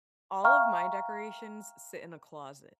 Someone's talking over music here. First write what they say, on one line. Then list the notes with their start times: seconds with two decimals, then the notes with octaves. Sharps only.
All of my decorations sit in the closet.
0.44 E5 F5 G5 A#5 C#6 F6